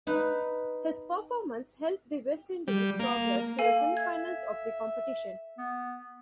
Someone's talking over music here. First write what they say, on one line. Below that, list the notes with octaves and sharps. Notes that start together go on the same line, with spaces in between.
His performance helped the West Indies progress to the semi-finals of the competition.
D#4 B4
G3
A#3
A#3 A4 F5 G#5
E5 G#6
B3